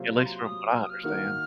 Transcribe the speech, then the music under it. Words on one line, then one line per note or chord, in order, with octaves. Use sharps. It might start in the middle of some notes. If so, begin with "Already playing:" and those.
at least from what I understand.
Already playing: C3 F#3 A#3 F4 C5
C6
A#5
C6
D#6
F6
D#6
F6
D#3 A#3 D#4 F#4 A#4 F6